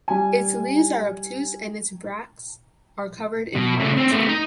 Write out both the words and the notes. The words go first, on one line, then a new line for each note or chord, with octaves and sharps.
Its leaves are obtuse and its bracts are covered in white.
G3 G#5
B2
C#3 A3
C4 C#4
A3 B3
D#4